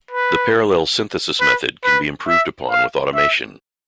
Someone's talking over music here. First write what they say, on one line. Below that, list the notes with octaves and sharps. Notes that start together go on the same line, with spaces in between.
The "parallel synthesis" method can be improved upon with automation.
B4
B4
B4
E5
F5
E5